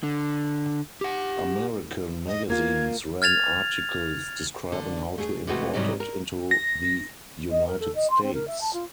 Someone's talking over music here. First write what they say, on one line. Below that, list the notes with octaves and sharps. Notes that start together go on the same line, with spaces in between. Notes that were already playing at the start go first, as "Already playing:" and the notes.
American magazines ran articles describing how to import it into the United States.
D3
G4 F#5
D#5
A#3 F4 G#6
F6 G#6 A6 F7
D3
A3 G#4
C3 E3 G#3 A3 F#4
G#2 C3 D#3 F#3 G3
A#4
A#6
D#5
A#4
A4
D#5
C6
C4
A#4
E5
A5
F4